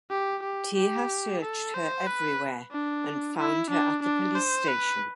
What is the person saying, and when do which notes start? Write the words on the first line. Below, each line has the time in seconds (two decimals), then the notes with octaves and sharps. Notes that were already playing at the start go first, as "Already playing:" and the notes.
Thiha searched her everywhere and found her at the police station.
0.10 G4
0.43 G4
0.76 G4
1.41 A4
1.74 C5
2.07 B4
2.71 D4
3.37 E4
3.71 D4
4.03 D4
4.35 C5
4.68 B4